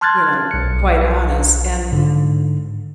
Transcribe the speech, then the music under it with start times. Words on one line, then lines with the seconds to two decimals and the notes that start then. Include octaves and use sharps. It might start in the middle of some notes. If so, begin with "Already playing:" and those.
you know, quite honest and
0.01 A5 C6 F6 F#6 G#6 A6
0.51 B1 C#7
1.92 G#2 D3